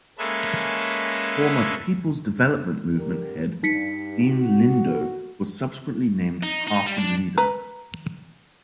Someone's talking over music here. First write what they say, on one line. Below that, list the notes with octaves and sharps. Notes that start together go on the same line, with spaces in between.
Former People's Development Movement head Dean Lindo was subsequently named party leader.
G#3 A#3 C#4 A4 B4 E5
D3 G4 A#4
G2 D#4 B6 C#7
F#4
D#4
D#4
G3
D4
B4 A#5